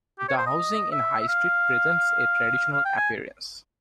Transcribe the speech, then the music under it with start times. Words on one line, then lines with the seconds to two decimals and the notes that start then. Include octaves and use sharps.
The housing in High Street presents a traditional appearance.
0.19 G4
0.28 C#5
0.38 C5
0.47 D#5
0.92 E5
1.21 E5
1.28 F5
2.73 F5
2.85 G5
2.97 G#5